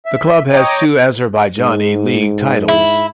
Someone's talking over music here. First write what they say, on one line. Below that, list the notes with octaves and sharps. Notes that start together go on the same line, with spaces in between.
The club has two Azerbaijani league titles.
E5
C#5 D#5 G5 A#5 D6 D#6
G#2
E4